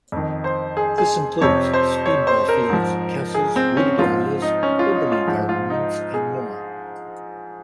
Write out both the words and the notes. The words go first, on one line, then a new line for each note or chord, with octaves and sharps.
This includes speed ball fields, castles, wooded areas, urban environments, and more.
F2 D#3
C5
G#4
G#4
F2 C3 F3 C#5
C5
C#5
C5
A#4
G#2 F3
G#4
C4
C#4
G#2 F3 F4
D#4
C#4
F4
D#4
F4
G#2 F3
F4
D#4
G#4